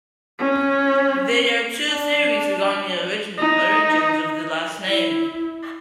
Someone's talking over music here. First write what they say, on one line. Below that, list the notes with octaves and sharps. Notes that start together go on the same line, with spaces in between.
There are two theories regarding the origins of this last name.
C#4
D4
D#4
E4